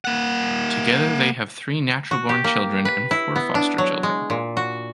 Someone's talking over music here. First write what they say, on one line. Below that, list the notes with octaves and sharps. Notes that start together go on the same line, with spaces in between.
Together they have three natural born children and four foster children.
A#3 F#5
F#4
G4
A#3
B4
E4
B3
D4
F#3
G#3
A#2
F#4